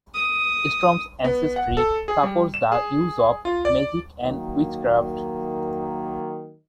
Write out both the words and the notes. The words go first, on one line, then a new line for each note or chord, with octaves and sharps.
Storm's ancestry supports the use of magic and witchcraft.
D#6
B3
F#5
A4
G#4
G3
E7
G#4
F4
D5
D#3 F#3 A#3